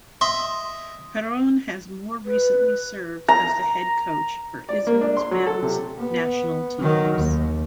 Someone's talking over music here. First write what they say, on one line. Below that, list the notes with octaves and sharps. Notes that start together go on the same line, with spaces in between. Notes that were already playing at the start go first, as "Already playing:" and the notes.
Perron has more recently served as the head coach for Israel's men's national teams.
D#5 E5 C6
B4
A#5
D5
A#3
D4
C6
F#3
A4
C3
B3
D#3 F#3
D#2